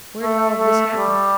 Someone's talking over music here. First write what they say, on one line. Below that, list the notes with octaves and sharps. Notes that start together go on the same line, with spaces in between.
"Where did all of this happen?"
A3
A3
G3